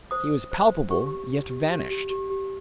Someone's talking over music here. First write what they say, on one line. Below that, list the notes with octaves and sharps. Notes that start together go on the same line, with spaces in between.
He was palpable, yet vanished.
C5 D#6
C5
C5
C5
G4 C#6
G4
G4
G4
G4
G4
G4
G4